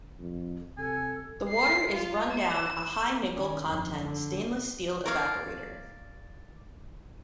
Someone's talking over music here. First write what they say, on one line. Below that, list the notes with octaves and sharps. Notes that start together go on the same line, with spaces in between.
The water is run down a high nickel content stainless steel evaporator.
F2
C3 A4 G#5
C7
F4
E7
D#3 C#4
G1 F2
D3
A#4 C#5 D5 F5